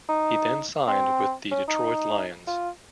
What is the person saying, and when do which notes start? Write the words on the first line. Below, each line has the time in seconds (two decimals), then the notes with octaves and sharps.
He then signed with the Detroit Lions.
0.09 D#4
0.88 C4
1.51 C#4
1.68 D#4
2.47 F4